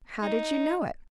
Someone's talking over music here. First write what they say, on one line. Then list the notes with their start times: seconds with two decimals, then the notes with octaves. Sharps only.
"How did you know it?"
0.23 D#4